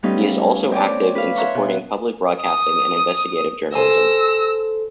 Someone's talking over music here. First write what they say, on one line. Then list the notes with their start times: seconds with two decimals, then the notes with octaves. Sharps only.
He is also active in supporting public broadcasting and investigative journalism.
0.03 G3 A3 B3 C#4 D#4 F4
0.71 C4 C#4 C#5 D5
1.15 B4 F5
1.36 C#5 E5 F#5 A#5 C6 C#6
1.55 B2 F#6
2.42 D#6
3.75 A4 C5 G#5 E6 A#6